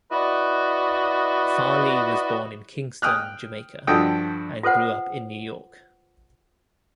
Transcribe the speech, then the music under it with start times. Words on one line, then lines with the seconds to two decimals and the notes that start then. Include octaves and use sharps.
Farley was born in Kingston, Jamaica, and grew up in New York.
0.12 E4 F#4 B4 D5 D#5
3.02 G5 D#6 F6 F#6
3.87 G2 F3 F#4 A4 G5 D#6
4.63 F4 A4 B4 C5 F#5